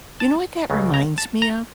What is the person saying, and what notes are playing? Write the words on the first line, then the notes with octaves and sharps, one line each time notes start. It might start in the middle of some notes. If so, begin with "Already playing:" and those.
You know what that reminds me of?
A5
C#2 C#3 F#3 A3
A#5
A5
A#5